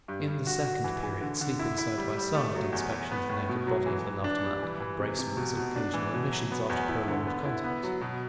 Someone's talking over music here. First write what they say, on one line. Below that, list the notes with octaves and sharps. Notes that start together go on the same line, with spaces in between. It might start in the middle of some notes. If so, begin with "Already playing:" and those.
In the second period sleeping side by side, inspection of the naked body of the loved man, embracements, and occasional emissions after prolonged contact.
G2
G2
F#4
F#4
E3
E3
D3
D3
E4
E4
G3
G3
A3
F#3
E2
E2
B3
A2
B2
F#3
E3
E3
D4
G3
E3
E3
C3
C3
B2
B2
D4
E3
B2
F#3
B3
E2
E4
D3
B3
E4
B3
F#3
B2